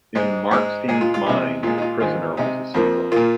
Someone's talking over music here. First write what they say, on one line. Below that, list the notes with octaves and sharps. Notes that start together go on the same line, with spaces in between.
In Markstein's mind, "The Prisoner" was a sequel.
G#2 G#3
G#2 G#3
A#2 G#3 G#4
F4
F4
C3 G#3 D#4
A#2 G#3 F4
D#4
F4
G#2 D#3 G#3 F4
C3 G#3 D#4
F2 F3 A#3
A#2 A#3 F4